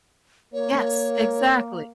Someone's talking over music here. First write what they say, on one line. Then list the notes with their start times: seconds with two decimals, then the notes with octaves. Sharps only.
Yes, exactly.
0.53 A#3 C#5